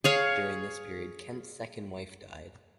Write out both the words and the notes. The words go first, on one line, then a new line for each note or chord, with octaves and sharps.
During this period, Kent's second wife died.
G#4 C#5 F5